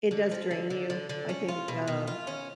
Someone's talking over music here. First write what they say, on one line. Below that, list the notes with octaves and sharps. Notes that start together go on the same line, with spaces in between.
It does drain you, I think, um,
D3
F3
D3
D3
D3
D3
C#4
F4
B2
B2
F4
C#4